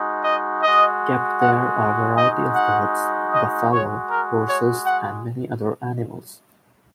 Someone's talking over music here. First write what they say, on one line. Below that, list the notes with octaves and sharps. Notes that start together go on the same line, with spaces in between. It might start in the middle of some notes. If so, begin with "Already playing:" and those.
Kept there are variety of birds, buffalo, horses, and many other animals.
Already playing: G#3 D#4 F#4
D#5
G#3 F#4 D#5
F#5
G#3 D#4 F#4 D#5
F#5
D#5
G#3 F#4 C#5
A#4
C#5
F#5